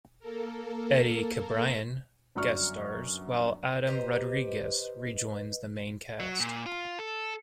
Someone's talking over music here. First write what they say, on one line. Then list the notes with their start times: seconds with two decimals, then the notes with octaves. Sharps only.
Eddie Cibrian guest stars, while Adam Rodriguez rejoins the main cast.
0.19 A#3 A4 A#4
2.35 G1 F#2 F#3 D5 C#6 F6
3.87 G4 B4 C5 D#5 A#5
6.20 F#3
6.40 A#2
6.66 F4
6.99 A4